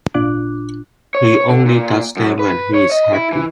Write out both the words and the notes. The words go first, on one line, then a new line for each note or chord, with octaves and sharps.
He only does them when he’s happy.
G#1 A#2 D4 F4 D6 F#6
C#5
D3
A#2
F#2
B4
C#5
D#5
E4
E3